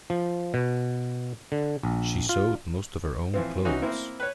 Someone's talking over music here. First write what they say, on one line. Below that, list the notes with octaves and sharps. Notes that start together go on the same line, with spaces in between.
She sewed most of her own clothes.
F3
B2
D3
A#1
F4
E3 F3 C4
E3 C#4 D#4 F#4
A#3 C4 E4
B4 C#5